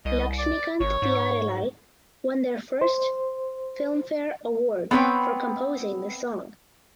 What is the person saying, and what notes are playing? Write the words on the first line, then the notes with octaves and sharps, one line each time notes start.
Laxmikant–Pyarelal won their first Filmfare award for composing this song.
C2 D#5
D5
G#1 C#5
G#2
C5
B3 C4 B4 C#5 G5